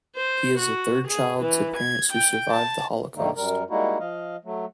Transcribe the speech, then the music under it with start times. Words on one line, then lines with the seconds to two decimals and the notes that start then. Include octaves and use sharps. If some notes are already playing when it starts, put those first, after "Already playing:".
He is a third child to parents who survived the Holocaust.
0.14 C5
0.60 F#4
1.07 G#4
1.40 E3
1.77 G#6
2.12 G5
2.51 A5
3.16 G2 D#3 G3 A3 A#3 D#4
3.36 F#2 G3 A#4
3.70 G3 G#3 A#3 D#4 E4 F#4
3.99 F3 D#5 F5
4.45 F#3 A3